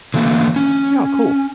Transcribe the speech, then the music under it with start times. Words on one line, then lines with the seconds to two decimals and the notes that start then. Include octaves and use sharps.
Oh, cool.
0.14 D3 E3 A3 A#3
0.56 C#4